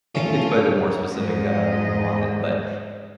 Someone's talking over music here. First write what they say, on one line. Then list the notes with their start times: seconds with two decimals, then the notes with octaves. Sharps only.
to put a more specific, uh, label on it. But
0.15 A3 C#4 F4
1.11 G#2 D#5